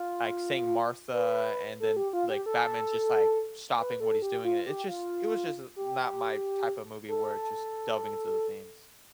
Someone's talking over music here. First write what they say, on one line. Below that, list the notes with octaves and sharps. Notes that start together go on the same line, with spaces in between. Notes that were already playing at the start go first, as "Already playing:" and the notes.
like, saying "Martha," and then, like, Batman's just, like, stopping what he's doing, and it's just it was just not my type of movie where it just delving into the themes.
Already playing: F4
B4
A4
G4
F4
G4
A4
B4
A4
G4
F4
G4
F4
G4
A4